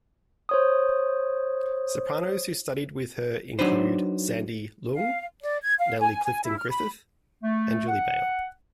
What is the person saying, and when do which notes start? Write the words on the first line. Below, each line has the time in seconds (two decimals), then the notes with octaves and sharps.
Sopranos who studied with her include Sandy Leung, Natalie Clifton-Griffith and Julie Bale.
0.49 C5 C#5 D#6
3.59 F#3 D4 D#4 B4 C5
4.94 F5
5.42 D5
5.63 G#6
5.79 F5
6.00 G#5
6.25 G#5
6.44 E4
6.58 F6
6.70 B5
7.42 A3
7.87 F#5